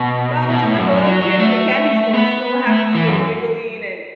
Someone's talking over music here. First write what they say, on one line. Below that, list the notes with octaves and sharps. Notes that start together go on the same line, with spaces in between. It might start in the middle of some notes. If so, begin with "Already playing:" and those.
So, I was just like a little kid in a candy store, so happy and giggling, and
Already playing: B2
B2
A2
F#2
F#2
F#3
F#3
A3
B3
A3
E3
F#2